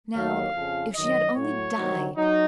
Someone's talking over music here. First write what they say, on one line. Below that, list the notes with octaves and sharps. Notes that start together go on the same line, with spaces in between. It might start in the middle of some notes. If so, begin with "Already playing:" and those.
Now--if she had only died!
D#2 D#3 F#3 F5
F2 C#3 F3
F#2 D#3 F#3 D#5
A2 F#3 C#5
C2 C3 D#3 F#3
F#3 D#4